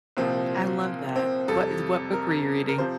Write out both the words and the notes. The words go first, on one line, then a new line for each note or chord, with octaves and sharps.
I love that. What is what book were you reading?
C2 A#2 F3 C4
C4
F2 C3 G3 A4
A#4
A#4
C3 F3 C5